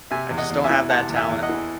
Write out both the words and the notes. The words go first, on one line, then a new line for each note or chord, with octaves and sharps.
I just don't have that talent.
C3 E5 G#5
E2
D#5 F#5
E2
E5 G#5
E3
C3 F#5 A5
E2
E5 G#5
E2
D#5 F#5
E3